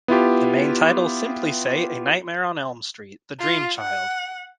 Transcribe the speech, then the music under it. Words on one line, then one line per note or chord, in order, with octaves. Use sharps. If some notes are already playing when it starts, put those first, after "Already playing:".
The main titles simply say "A Nightmare on Elm Street: The Dream Child".
B3 E4 F4 G4
F4
F#5